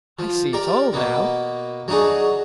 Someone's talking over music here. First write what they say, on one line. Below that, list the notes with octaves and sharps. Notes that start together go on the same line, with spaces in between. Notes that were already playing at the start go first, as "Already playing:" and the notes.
I see it all now.
F3
G4 A#4 D5
B2 A#3 B3
F#3 D4 D#4 F#4 G#4